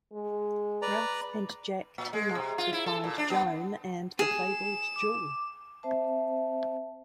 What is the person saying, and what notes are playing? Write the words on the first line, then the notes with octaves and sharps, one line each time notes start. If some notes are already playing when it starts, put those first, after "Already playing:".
Ralph and Jack team up to find Joan and the fabled jewel.
G#3
B4 D5 A#5
A#2
G#3
C3
F4
E4
A4
A#2
D4
B3
G#4 E7
D6
C4 C5 E5 A5